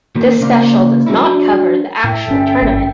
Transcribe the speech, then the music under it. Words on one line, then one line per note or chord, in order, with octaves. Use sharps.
This special does not cover the actual tournament.
D#3 A3 A#3
C#3 A#3 C5 D5 F5
F3 F#3 A3 C#4 D#4 E4
F#3 D4
A2 A4 E5 G5
G1 C#4
G#1